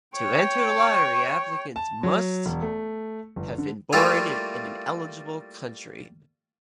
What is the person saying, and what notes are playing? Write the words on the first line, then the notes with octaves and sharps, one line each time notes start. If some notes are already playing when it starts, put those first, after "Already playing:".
To enter the lottery, applicants must have been born in an eligible country.
C#5 G5
A5
F#3
E1
A3
G1
D3
G3 A3 A#3 E4 F4 C#5